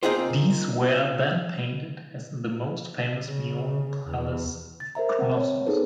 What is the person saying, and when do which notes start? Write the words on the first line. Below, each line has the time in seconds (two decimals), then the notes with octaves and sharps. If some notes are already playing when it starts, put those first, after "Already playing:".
These were then painted as in the most famous Minoan palace of Knossos.
0.03 A#3 C4 D#4 F4 G#4 C5
3.24 C#3
4.08 E2
4.80 A6
4.95 A#4 C5 E5 A#5
5.19 C4 F#5 G5 A5
5.37 C#5
5.66 B3 D#4 G#4 A4 B4 C5